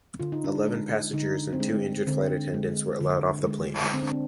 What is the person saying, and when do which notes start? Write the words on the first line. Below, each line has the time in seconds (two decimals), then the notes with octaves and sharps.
Eleven passengers and two injured flight attendants were allowed off the plane.
0.20 D3 F4
0.32 D#4
0.44 D4
0.55 D#4
0.67 G#3
1.13 D3 D#4
1.53 C4
1.60 G#3 D4
2.07 D3 C4
2.54 G#3
3.01 D3
3.46 G#3
3.93 D3 C4
4.02 D4
4.12 C4